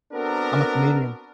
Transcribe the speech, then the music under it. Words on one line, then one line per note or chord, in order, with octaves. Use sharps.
I'm a comedian.
B3 C4 D4 F#4 A4 A#4